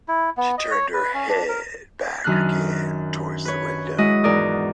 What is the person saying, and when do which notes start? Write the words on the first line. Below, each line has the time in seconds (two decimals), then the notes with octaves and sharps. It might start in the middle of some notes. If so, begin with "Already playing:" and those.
She turned her head back again towards the window.
0.08 E4
0.37 B3
0.58 D#5
0.71 C#5
0.94 B4
1.14 C#4
1.29 D4
1.48 A#4
2.24 F#2 D#3 D4 F6 F#6
3.45 B4 C#5
3.98 G#3 E4 F#4 B4 D#5
4.23 E2 G#2 A#4 D5 D#6